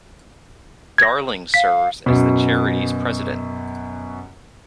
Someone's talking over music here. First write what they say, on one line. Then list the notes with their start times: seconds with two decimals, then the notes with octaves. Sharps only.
Darling serves as the charity's president.
0.98 G#6 A#6
1.54 F5 B6
2.06 F#2 B2